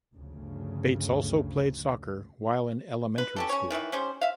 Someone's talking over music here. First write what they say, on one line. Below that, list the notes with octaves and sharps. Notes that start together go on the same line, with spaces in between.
Bates also played soccer while in elementary school.
G1 D2 C#3 F3
B4
C#4 G4 A4
C#4 C#5
D#3 E3 B4 E5
G3 C#4 C5
E5 F5